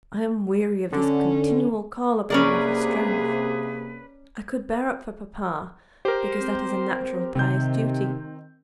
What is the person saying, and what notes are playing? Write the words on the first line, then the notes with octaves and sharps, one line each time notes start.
I am weary of this continual call upon me for strength. I could bear up for papa; because that is a natural, pious duty.
D3 C#4
C2 C3 A#3 C#4 G#4 A#4 B4 D5
G4 A#4 C5
C4
C3 D#3 C4 G6